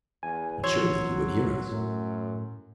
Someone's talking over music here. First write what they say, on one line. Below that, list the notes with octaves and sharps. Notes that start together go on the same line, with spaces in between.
"But surely he would hear us."
E2 G#5
E3 F#3 C#5 C6 E6 G#6
F#2 A2